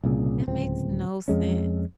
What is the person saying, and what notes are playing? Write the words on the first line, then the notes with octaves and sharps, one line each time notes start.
That makes no sense.
C2 A#2 C#3
D1 C#2 C4
F2 G#3 C#4